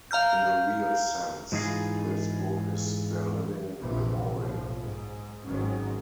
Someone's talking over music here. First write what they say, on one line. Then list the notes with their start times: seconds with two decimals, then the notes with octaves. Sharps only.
In a real sense, this book is their living memorial.
0.11 F5 A#5 F6 G6
1.52 G#2 E3 D#4 F4 G#4
3.80 A#1 C3 E3 F3
4.36 B1 A2 F3
4.81 G#2
5.44 G#1 G#2 D#3 F#3 C#4